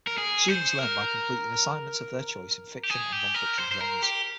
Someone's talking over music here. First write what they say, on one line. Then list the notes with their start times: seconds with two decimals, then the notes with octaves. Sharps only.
Students learn by completing assignments of their choice in fiction and non-fiction genres.
0.07 A#4
0.18 G#4
0.48 C5
0.79 A#4
2.83 G4
2.90 G#4
3.12 G4
3.34 A#4
3.58 C5
3.72 C5
3.81 A#4
4.02 G4